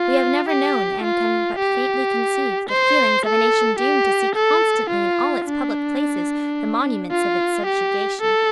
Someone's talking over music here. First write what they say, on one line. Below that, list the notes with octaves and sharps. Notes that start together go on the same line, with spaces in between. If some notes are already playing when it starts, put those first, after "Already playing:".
We have never known, and can but faintly conceive, the feelings of a nation doomed to see constantly in all its public places the monuments of its subjugation.
Already playing: F4
G4
F4
G4
C5
A4
G4
A4
F4
D4
F4
G4
A4